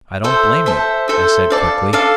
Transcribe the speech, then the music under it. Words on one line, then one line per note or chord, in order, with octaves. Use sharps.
"I don't blame you," I said quickly.
A4 C5 E5
A4 C5 E5
A4 C5 E5
A4 D5 F5
A4 D5 F5